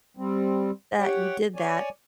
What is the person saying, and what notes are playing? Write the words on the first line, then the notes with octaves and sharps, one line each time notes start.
that you did that,
G3 C4
G4 C#5 F#5 G5
C#5 D5 G#5